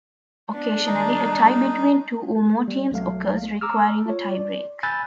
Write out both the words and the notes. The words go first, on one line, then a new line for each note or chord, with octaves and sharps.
Occasionally, a tie between two or more teams occurs, requiring a tie-break.
B3 D4
D#3 G3 D#4 G#4
G3
B1 F#3 A3 F5
A#5 D6 E6 F6
F4 C#5
D5
G#5 B5 E6 F#6 G6 A6